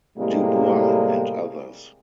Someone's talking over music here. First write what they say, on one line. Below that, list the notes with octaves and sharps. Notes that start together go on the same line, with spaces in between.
Du Bois and others.
A2 C3 G3 G#3 A#3